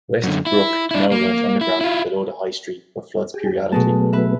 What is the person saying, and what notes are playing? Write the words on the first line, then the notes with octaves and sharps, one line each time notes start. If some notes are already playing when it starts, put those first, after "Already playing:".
West Brook now runs underground below the High Street, but floods periodically.
F#2 D3
E4
D4 E4
A#3
E4
E4 F4
G4 G#4
B2 F#3 G#3 A3 B3 A5
B4 E5